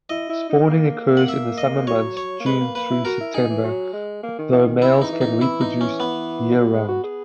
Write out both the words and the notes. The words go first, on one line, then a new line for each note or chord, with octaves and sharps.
Spawning occurs in the summer months, June through September, though males can reproduce year-round.
E4 D#5
E4
D#4
A#3
F#5
E5
D#5
F#3 C#5
C#5
A#3
G#3 B4
A#3
A#3 B4
E4
F#4 A#4
E4
D#4 G#4
E3
F#3
G#3
A#3
D#3
E3
D#3
E4
E3 D#4
E3
D#4
E3
E4
D#4
C#4
B3
F#3
G#3
F#4
G#4